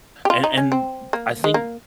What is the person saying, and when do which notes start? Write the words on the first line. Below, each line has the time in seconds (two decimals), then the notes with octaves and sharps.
And and, I think
0.25 G4
0.30 F4
0.44 D#4
0.57 C#4
0.72 C4
1.13 A#3
1.44 G#3
1.54 A#3